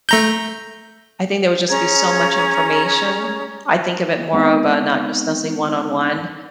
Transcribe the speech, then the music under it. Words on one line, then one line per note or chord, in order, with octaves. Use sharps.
I think there would just be so much information. I think of it more of a not just one on one,
A3 A#5 G6
C#4 G#4 A#5 G#6
G#3 B3 C4 D#4